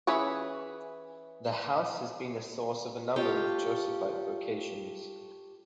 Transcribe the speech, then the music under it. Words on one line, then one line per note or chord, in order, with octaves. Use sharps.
The house has been the source of a number of Josephite vocations.
E3 C#4 G#4 B4 C#5
F4 G4 A4 C#5 F5 G5